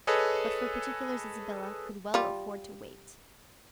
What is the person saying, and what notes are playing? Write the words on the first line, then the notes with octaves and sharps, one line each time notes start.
But for particulars Isabella could well afford to wait.
G#4 A4 B4 C#5 D#5
G3 F4